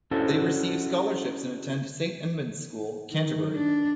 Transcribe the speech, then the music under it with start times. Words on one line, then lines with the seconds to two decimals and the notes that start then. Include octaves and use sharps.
They receive scholarships and attend Saint Edmund's School, Canterbury.
0.11 C#4 D4 E4 F#4 A4 C5
3.11 D#3
3.54 D4